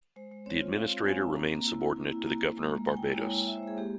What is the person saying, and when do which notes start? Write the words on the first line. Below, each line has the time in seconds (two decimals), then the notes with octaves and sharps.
The administrator remained subordinate to the Governor of Barbados.
0.16 G#3 C5
0.32 G#3
0.46 C4 C#5
0.61 F4
0.76 C4 F5
0.92 C4
1.06 C4 G#5
1.22 C4
1.36 A#3 A#5
1.52 A#3
1.67 E4
1.81 E4
1.96 E4
2.11 E4
2.26 A#3 A#5
2.42 A#3
2.57 G#3
2.72 G#3
2.87 G#3 G#5
2.97 G5
3.03 E4
3.17 E4 C#5
3.33 E4
3.47 E4 E5
3.57 C5
3.63 G#3 G#4
3.77 A#3 G4